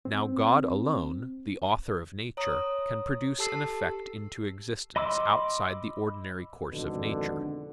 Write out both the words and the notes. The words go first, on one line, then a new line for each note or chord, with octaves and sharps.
Now God alone, the Author of nature, can produce an effect into existence outside the ordinary course of nature.
C4
C#5 A#5 D#6
G4 A4 A5 E6 C7
D#5 B5 C6 D6 E6
G#1 F2 B2 D3